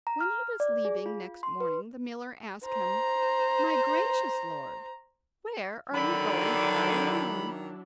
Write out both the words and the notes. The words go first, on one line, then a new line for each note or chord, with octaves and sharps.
When he was leaving next morning the miller asked him: 'My gracious lord, where are you going all alone?'
A#5
F6
D5
G#4
F4
C6
B4
C5 A#5
D3 D#3 F#3 D4 E4 B5